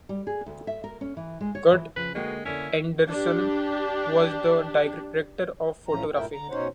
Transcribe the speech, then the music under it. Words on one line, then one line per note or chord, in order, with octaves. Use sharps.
Gert Andersen was the director of photography.
G3
G#4
D2
E5
A#4
C#4
E3
G#3
C#5
E3
C#3 F3 B4
B2 D3 G#3 A#3 G4
D3 A#3 C#4 D4 E4
D4 G4
A2 E3 F3 C#4 A#5
G2 A#2 A3 E4 A#4 G5
D3 A#5
B2 C#4 D#4 C5 C#5 F#5